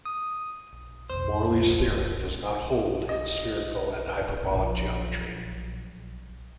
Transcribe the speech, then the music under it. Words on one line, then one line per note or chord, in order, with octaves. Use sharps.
Morley's theorem does not hold in spherical and hyperbolic geometry.
D#6
B1 F2 C5
D#5
A#1 F#3